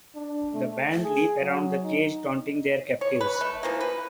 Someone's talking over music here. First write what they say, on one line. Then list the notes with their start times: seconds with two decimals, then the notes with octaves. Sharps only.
The band leap around the cage taunting their captives.
0.15 D4
0.53 A3
1.03 G#4
1.40 F#3
1.83 D#4
3.01 C#5
3.21 B4
3.41 A3
3.63 E3 F3 A3 A#3
3.81 B4